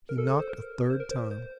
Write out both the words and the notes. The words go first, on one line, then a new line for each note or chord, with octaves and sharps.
He knocked a third time.
A#4
A4
A4
C5
A#4
C5
A#4
C5
C5